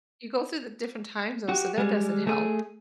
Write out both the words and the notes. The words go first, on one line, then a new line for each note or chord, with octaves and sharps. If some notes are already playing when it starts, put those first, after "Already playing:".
You go through the different time zones, so that doesn't help.
F#4 G4
G3 G#3
A3 G#4